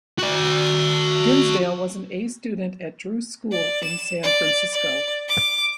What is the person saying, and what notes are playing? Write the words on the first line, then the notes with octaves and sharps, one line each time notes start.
Dinsdale was an A student at Drew School in San Francisco.
F#4 D5
D5
E7
D5
D5
D6